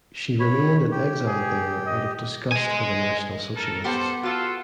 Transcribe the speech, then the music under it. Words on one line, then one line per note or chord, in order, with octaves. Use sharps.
She remained in exile there out of disgust for the National Socialists.
C#5 B5
G4
G#4
D#5
D#5 G#5
A4 A#4
B3 G4 A4 C5 C6
F4 F#4 A4 A5